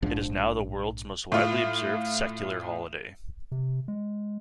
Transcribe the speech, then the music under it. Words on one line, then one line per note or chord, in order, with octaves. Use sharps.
It is now the world's most widely observed secular holiday.
A#1 G#2 F3 D4
A2 F4
C3
G#3